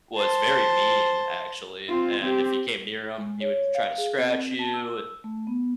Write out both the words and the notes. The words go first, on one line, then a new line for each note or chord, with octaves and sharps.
was very mean, actually, and if you came near him, he would t try to scratch you, and,
C5 A5
C4 F4
C4 G4
G#3
C#5
F5
G#4
C4
A5
E6
A3
B3